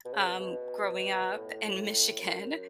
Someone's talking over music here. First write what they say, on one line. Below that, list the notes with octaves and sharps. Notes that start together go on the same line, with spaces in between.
um, growing up in Michigan
B2
C#3
B2
B2
A2
F#2